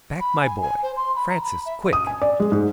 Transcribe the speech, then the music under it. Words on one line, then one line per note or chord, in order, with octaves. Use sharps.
"Back, my boy! Francis, quick!"
B5
G#5
G#5
C5
C6
B5
A#5
B5
E5
D#6
G#5
D5
G#3
G#2